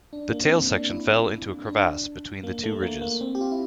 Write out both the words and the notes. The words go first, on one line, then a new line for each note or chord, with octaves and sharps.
The tail section fell into a crevasse between the two ridges.
D4
A#3
C4
A#3
D4
E4
D4
A#3
A3
A#3
A#3
C4
G4
F4
E4